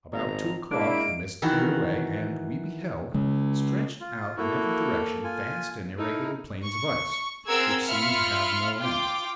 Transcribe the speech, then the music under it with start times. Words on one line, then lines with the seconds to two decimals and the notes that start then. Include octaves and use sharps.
About two o'clock the mist cleared away, and we beheld, stretched out in every direction, vast and irregular plains of ice, which seemed to have no end.
0.12 G#1 A#5
0.71 G#3 A#3 D4 E4 D7
1.42 D#3 E3 E4 F#4
3.14 C#3 G#3
4.01 F4
4.37 A#3 E4 F#4 A4
5.24 F4 G#5
5.98 D#4 E4 A4 A#4
6.63 C#6
7.47 C4 G#4 A#4 F#5 E6 G#6
7.87 F4 E5 B5 F6 C#7
8.79 F4 G5 D6